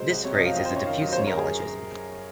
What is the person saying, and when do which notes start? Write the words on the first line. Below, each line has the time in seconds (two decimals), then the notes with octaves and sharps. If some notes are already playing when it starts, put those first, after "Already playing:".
This phrase is a diffuse neologism.
Already playing: F#3 G#3 C5
0.10 C2
0.24 C3 C#5
0.34 D#5
0.40 F3 F5
0.55 C4 D#5
0.65 C5
0.70 F#2
0.76 C#5
0.86 D#3 F5
1.02 F#3 D#5
1.13 C5
1.17 F#2 C#5
1.27 A#4
1.37 G#4